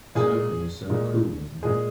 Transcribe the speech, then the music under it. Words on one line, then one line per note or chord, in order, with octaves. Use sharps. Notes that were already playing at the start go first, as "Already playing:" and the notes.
Surfing is so cool, isn't it?
A#2 G#3 G#4
A#2 G#3
A#2 G#3 G#4